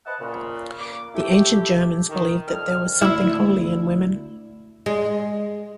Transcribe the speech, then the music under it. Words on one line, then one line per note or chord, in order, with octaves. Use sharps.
The ancient Germans believed that there was something holy in women.
B4 C5 D#5 E5 F#5 A5
A#2 C#3
A#3 D6
A3 E4 G4
D#3
F2 D4 D#5 G5 F6
D2 E4
G#3